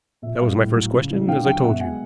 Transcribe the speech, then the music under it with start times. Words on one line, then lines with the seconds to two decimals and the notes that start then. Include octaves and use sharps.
That was my first question, as I told you.
0.22 A#2 E5
0.41 G3 F5
0.58 A2
0.75 F#3
0.93 C#3
1.10 E3 G#3
1.28 D3 F5 G5
1.45 F#3 F5 G5
1.62 B2 E5 F#5
1.80 G#3 F#5 G#5